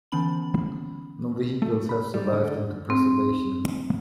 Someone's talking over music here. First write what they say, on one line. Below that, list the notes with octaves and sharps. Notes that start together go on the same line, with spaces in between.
No vehicles have survived into preservation.
D3 E3 B3 C#4 B5 F#7
A3
B5
G3
D3
C4